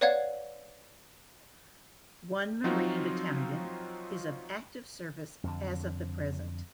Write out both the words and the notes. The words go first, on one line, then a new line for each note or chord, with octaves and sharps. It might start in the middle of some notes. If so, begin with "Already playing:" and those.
One Marine Battalion is of active service as of the present.
B4 C#5 D5 F5 F#5 G#6
F3 F#3 C4 D#4 F4 F#4
F2 D3